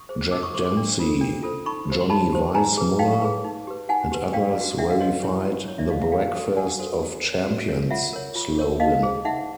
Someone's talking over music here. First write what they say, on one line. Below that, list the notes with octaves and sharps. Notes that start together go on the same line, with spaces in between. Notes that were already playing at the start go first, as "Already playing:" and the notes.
Jack Dempsey, Johnny Weissmuller, and others verified the "Breakfast of Champions" slogan.
Already playing: C#6 D#6
G#4 C5
D#4 D6 E6
C#6 D#6
G#4 C5 C6 D6
C6 D6
D4
F4 A4 C5
D4
F4 A4 C5
D#4 B5 C#6
G4 C5
C6
D#4 A5 B5
G4 C5
D#4 G#5 A#5
G#4 B4
D#4 F5 G5
G#4 B4
D#4
G4 B4
D#4 F#5 G#5
G4 B4
D4 F5 G5
B4
F#4
D4 E5 F#5
D#5 F5
F#4 B4 C#5 D#5
E4 C#5
G4 C5
E4 C#5
D5 E5
G4 C5 D#5 F5
E5 F#5
D4 F5 G5
F#4 A4 C5
D4 F#5 G#5
F#4 A4 C5
F#4
A#4 C#5
F#4
A#4 C#5
F4 E5 F#5
A#4 C#5
F4
A#4 C#5
D#4 D#5 F5
G#4 C5
D#4 E5 F#5